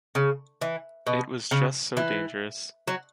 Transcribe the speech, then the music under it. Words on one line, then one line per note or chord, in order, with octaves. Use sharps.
It was just so dangerous.
C#3
E3
B2
C#3
E3
F#3